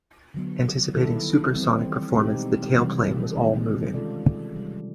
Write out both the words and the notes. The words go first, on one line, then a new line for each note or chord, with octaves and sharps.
Anticipating supersonic performance, the tailplane was all-moving.
D3 F#3 B3
D#3 G3 B3 E4 A4
E3 G3 C4
B2 G#3 C4 D#4 G4
C3 E3 G3
D#3 G#3 C4 D#4 G#4
G#3 C#4 F4 A4 D5
C3 E3 G3